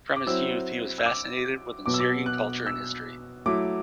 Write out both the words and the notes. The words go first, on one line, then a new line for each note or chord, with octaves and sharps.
From his youth, he was fascinated with Assyrian culture and history.
D6
F#3 C4 E4 E6
E6
D6
B2 F#3 B3 D6
E6
D6
F#6
E6
F#3 A3 E4 D6